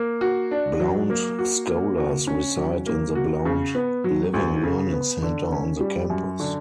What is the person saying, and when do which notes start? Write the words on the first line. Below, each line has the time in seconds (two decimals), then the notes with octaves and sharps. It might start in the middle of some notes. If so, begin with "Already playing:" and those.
Blount Scholars reside in the Blount Living Learning Center on the campus.
Already playing: A#3
0.21 F#4
0.51 D4
0.80 F#3
1.10 A#3
1.39 F#4
1.69 A#3
1.97 F#4
2.27 C#4
2.56 F#3
2.86 A#3
3.15 F#4
3.45 C#3
3.75 B3
4.04 F#3
4.34 D2
4.63 C#3
4.92 B3
5.22 D3
5.52 C#4
5.81 G3
6.10 F#2
6.40 D3